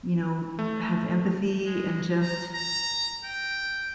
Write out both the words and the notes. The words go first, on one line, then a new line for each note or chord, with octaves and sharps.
you know, have empathy and just,
A3
G#3
A#5
A#5
G5